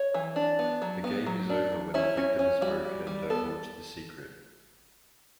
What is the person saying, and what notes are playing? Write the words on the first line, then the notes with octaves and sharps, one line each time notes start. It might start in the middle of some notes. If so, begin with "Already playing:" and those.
The game is over when the victim has broken and divulged the secret.
Already playing: C#5
E3
D4
B3
F#3
B3
F#3
D4
F#3
C#4 E4
C#4
C#4
G3 F#4
G3
G3
B3 A4